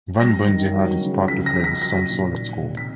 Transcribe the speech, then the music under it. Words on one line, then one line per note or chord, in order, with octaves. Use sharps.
Van Bunge had his part to play with some solid scores.
G3 A#6
D#3
F#3
C#3
F3 B6
A#6
C#3
B6
F#3 A#6
A#2
D#3
C3
B6